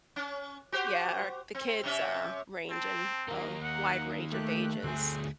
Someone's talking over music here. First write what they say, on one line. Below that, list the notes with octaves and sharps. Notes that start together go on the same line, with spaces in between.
Yeah, our the kids, uh, range in a wide range of ages.
C#4
F#4 G4 C5
C4
C3 C#4 E5
C4 A5
D#3 A#3 A#5
F#5
A3 G4 F#6
D2 C4 G#4